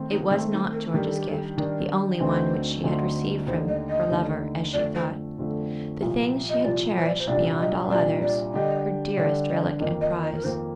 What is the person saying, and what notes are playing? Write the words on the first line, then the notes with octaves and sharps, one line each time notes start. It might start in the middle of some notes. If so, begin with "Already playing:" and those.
It was not George's gift; the only one which she had received from her lover, as she thought--the thing she had cherished beyond all others--her dearest relic and prize.
Already playing: D#3 A3 C4
D#4
D#3 A3 C4 D#4
D#4
A#4
D#3 G3 D4 A#4
A4
G4
A4
D#3 G3 D4 A#4
D2 D3 A3 C4 D#4 C5
D2 D3 A3 C4 D#4
D#2 D3 A3 D#4 C5
D#5
D#5
D#2 D3 A3 D#4
F2 D3 A3 D5
C5
F2 D3 A3
C2 A#2 F3
D#5
C2 A#2 F3 D5
C5
D5
C5
C2 A#2 G3 D4 D5
D#5
C2 A#2 G3 D4 D5
D5
D3 G3 D4 G4 D#5
D3 G3 D4 G4 D5
D#5
F2 D#3 A#3 D#5
D#5
D#5
A#4
F2 D#3 A#3 C5